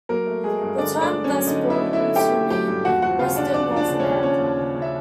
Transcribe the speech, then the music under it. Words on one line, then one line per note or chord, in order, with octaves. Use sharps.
The term thus broadened to mean "Western North America".
F#3 A#3 A#4
A3
G#3 A3 G#4
G2
D3 D4 D5
A3
D4 D5
A3
C#4 C#5
F#3
D3 D#4 D#5
F#3
E4 E5
A3
E4 E5
D3
A3 G4 G5
D3
F#3 G4 G5
G2
D#2 F#4 F#5
F3 F#4 F#5
C#3 F4 F5
C#3 D4 D5
F3 D4 D5
F3
D4 D5
C#3
C#4 C#5
D#2
D#2 C#4 C#5
D#2
C#3
C#3
E5